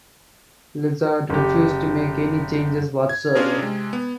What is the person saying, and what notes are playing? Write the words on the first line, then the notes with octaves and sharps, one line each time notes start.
Izzard refused to make any changes whatsoever.
F#1 G4
G#6
C#4 D4 F4 G#4 A#4
C3 G#3
B3